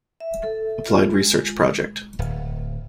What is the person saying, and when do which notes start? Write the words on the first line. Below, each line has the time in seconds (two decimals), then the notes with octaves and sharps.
Applied Research Project.
0.20 E5
0.43 A4
0.88 F4
1.14 G#3
2.19 D1